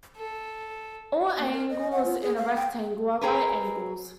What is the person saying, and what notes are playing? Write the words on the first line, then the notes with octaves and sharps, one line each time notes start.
All angles in a rectangle are right angles.
A4
A#3
A#4
D#5
F#5
F4
G#4
F5
G5
C4 G#4 A#4 B4